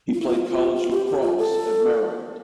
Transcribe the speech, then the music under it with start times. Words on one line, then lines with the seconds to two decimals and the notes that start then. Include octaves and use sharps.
He played college lacrosse at Maryland.
0.13 F4
0.21 E4
0.28 F4
0.45 F4
0.76 F4
0.92 G4
1.07 G4
1.22 F4
1.38 A4